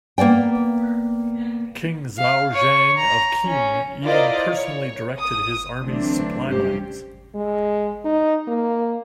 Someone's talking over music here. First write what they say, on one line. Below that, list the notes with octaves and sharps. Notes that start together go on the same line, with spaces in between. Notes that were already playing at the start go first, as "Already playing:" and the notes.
King Zhaoxiang of Qin even personally directed his army's supply lines.
A#3 B3 D5 G5
F5
C#5 C#6
A#5
C#4
E4 F4 A#4 C5 D5 D#5
C#5
D#6
D3 E3 F#3 A3 C4 D4
G2 C3 C#4 G4 C5
G#3
D#4
A#3